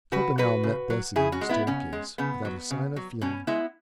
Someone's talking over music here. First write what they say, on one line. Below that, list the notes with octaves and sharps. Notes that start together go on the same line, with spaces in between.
Torpenhow met Bessie on the staircase without a sign of feeling.
C#3 F#4 B4
F#3 F#4 B4
C#3
F#3
C#3 E4 G#4
C#4 F#4
G#3
B3 E4
C#3 C#4
G#3
C#3 B3
F#3
C#3
F#3
B2 C#4
G#3 B3 E4